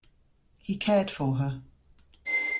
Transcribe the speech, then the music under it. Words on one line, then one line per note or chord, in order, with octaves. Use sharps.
He cared for her.
C7